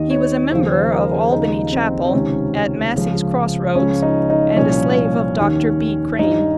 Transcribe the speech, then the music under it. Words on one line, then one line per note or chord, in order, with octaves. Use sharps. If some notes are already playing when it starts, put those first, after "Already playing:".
He was a member of "Albany Chapel," at Massey's Cross Roads, and a slave of Dr. B. Crain.
Already playing: D#2 D#3 D#5
C#5
D#2 C#3 F3 C5
C5
A#4
G#4
D#2 C#3 F3 D#4
C4
C4
C#2 C3 D#3 C#4
C#2 C#3 F3
C#2 C#3 F3 C#4
D#4
D#4
C2 A#2 F3 C#4
D#2 D#3
G2 D#3 D#4